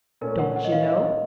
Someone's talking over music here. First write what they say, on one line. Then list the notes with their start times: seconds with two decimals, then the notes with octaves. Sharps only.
Don't you know?
0.21 A#2 A3 C#4 A#4
0.39 F#5
0.56 F#5
0.65 D#5
0.72 F5
0.89 D#5